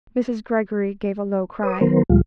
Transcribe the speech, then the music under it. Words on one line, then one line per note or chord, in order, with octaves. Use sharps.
Mrs. Greggory gave a low cry.
B4 C#5 D#6
D#3 F#3 B3 A#4 C5
D2 A#2 F3 G3 G#3 F4